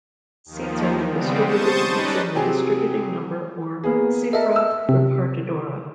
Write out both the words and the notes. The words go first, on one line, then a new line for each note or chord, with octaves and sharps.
Seats are then distributed using the distributing number, or "cifra repartidora".
D#2 D#3 F3
C#3 G3 G#3 B3 C4
C5 A5 C#6 D#6 G6 A6
C#4 D#4 B4 D5 D#5
C3 F#3 C4 G4 G#4
A#3 B3 G#4
A4 A#4 D#5 E5
E6
C3